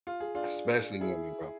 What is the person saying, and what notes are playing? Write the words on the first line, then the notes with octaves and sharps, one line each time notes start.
Especially women, bro.
F4
G#4
D4 F4
E4 G#4